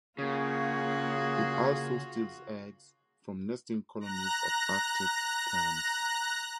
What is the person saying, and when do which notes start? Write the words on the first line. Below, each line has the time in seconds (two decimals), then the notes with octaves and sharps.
It also steals eggs from nesting colonies of Arctic terns.
0.18 C#3 A#3 F4 F#4 G#4
4.00 A#5 F#6 A#6